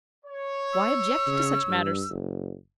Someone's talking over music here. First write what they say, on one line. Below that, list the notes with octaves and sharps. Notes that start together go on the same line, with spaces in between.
Why object to such manners?
C#5
E6
C#3
G2
F#1